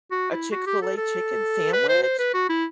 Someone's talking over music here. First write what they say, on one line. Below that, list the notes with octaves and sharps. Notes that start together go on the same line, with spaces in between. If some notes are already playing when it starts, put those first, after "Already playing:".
a Chick-fil-A chicken sandwich.
F#4
E4
F#4
G4
A4
A4
B4
C5
C5
B4
F#4
E4